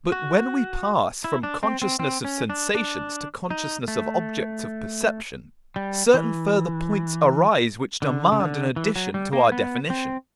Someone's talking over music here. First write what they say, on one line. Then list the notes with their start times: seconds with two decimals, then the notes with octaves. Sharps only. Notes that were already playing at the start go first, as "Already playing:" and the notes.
But when we pass from consciousness of sensations to consciousness of objects of perception, certain further points arise which demand an addition to our definition.
0.12 F#4
1.24 E4
1.43 D4
1.63 C4
1.82 C4
2.00 C4
2.25 C#4
2.50 D4
2.75 D4
3.50 D#4
3.88 A3
5.76 G3
6.14 E3
8.02 D3
8.32 C#3
8.40 D3
8.76 E3
8.96 F#3
9.14 G3
9.33 A#3
9.52 B3
9.90 C4